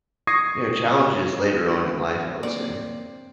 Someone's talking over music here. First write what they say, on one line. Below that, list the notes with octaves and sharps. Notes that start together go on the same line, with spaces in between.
you know, challenges later on in life, I would say.
C#6 D#6 G#6 A#6 C7 D#7
A#3 C4 D4 C#5 D5